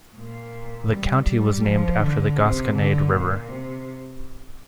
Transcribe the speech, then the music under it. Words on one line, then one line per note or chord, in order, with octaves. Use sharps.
The county was named after the Gasconade River.
A#2
G3
G3
F3
D3
C3
D3
A#2
C3